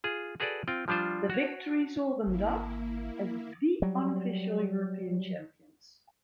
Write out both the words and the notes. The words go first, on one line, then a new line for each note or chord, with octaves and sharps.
The victory saw them dubbed as the unofficial European Champions.
F4 G#4
F#4 G#4 A4 B4 D5
C4 F4 G5
F3 G3 D4 F4 C5
F#4 C#5
G#1 A#3 E4
F#3 G3